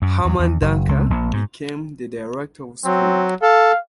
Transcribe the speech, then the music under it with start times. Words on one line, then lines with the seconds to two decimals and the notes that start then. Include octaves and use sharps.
Hermann Duncker became the director of school.
0.02 F#2
0.25 E2
0.39 E2
0.62 F#1
0.89 C#2
1.10 A#1
1.33 G#2
2.85 F#3 C4
3.42 A4 F5